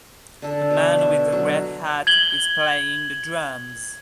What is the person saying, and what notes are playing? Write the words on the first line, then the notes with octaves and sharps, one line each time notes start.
A man with a red hat is playing the drums.
D3 A4
B2
E5
F#3
G#6 F#7 G7